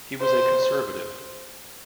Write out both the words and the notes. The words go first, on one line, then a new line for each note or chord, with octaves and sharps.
He was a Conservative.
C5